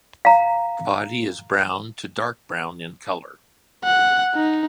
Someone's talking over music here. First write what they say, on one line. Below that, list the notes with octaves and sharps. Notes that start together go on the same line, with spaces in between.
Body is brown to dark brown in color.
F5 A#5
F#5
D#4